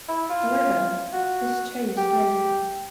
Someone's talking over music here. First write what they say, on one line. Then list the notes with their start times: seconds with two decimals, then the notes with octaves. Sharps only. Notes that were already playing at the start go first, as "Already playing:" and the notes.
However, this changed later.
0.08 E4
0.30 F4
1.13 F#4
1.97 G4